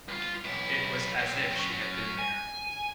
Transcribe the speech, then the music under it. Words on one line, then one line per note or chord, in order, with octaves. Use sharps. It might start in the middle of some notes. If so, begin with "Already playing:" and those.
It was as if she had been there.
G2 F4
B1 E4
B1 C4
F#3 C#4
G#5